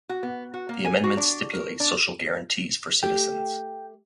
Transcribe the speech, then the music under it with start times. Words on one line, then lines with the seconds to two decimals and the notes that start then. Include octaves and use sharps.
The amendments stipulate social guarantees for citizens.
0.09 F#4
0.23 B3
0.54 F#4
0.69 A#3
0.84 G#5
1.04 F#4
1.17 D4
1.53 A#4
1.80 D4
3.03 A3 G4 G5